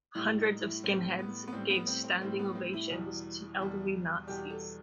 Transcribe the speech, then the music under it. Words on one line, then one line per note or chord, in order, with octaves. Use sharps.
Hundreds of skinheads gave standing ovations to elderly Nazis.
A2 G3 E4
D#4
E4
A2 G3 C4
B3
B3
A2 G3 C4
B3
C4
C4
A2 G3 C4
B3
C4
E4
E2 B2 G3
E2 B2 G3
E2 B2 G3 G4
A4